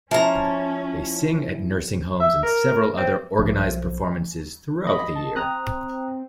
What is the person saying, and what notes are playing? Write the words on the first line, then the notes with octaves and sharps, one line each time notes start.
They sing at nursing homes and several other organized performances throughout the year.
F3 C#4 E4 A5 A#5
E5
A#4
C4
B1 F3
D#5 B5
A5
C4 A#5 D#6 F#6